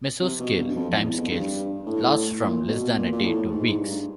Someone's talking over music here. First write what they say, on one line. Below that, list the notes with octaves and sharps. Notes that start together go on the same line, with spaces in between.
Mesoscale timescales last from less than a day to weeks.
C3
B2
G2
F#2
F2
E2
E2
F2
G2
A2
A#2
B2
A#2
A#2
A2
G#2
G#2
G2